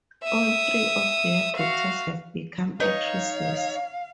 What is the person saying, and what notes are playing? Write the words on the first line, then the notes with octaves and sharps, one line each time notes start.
All three of their daughters have become actresses.
E5 D#6
F#4 F5
D#4 B4 C#5 D#5 F5